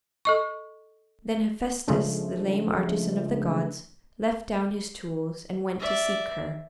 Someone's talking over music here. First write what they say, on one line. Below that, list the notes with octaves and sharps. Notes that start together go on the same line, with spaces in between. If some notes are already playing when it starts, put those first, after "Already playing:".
Then Hephaestus, the lame artisan of the gods, left down his tools and went to seek her.
A4 D#5 C#6
C#3 F3 G#3 A3 D4
D5 E5